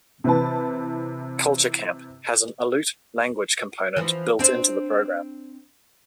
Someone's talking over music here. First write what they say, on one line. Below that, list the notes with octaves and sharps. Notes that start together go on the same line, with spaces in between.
Culture Camp has an Aleut language component built into the program.
C3 E3 B4 A5
E3 F3
C4 D4 C5